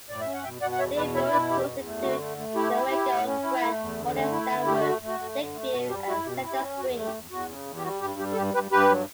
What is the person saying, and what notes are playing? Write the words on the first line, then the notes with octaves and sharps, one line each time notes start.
Neighboring schools include Newaygo, Grant, Morley-Stanwood, Lakeview and Cedar Springs.
A2 D5
E5
C#4
F#5
B2 E5 G5
B2 D5 F#5
F#5
E2 C#5 E5
B2 B4 D5
E4 C#5 E5
B2 B4 D5
E2 G4
E2
A3
D3 F#4
A3
A3
E4 G4
E4
E4
A2
C#4
E4
A3
E2
D3
A3
E4
D3
A3 G4
A3 F#4
A3
F#4
A3
D3
A3
B2 F#4
G3 G4
E4 F#4
B2 G4
E4
G4
C#4
E2 F#4
A3
G4
E2
E2 F#4
C#3
E2
G4
G3 F#4
G2 G4
G3 G4
A4
G2 G4
G2 G4 B4
G2 G4 B4
F#3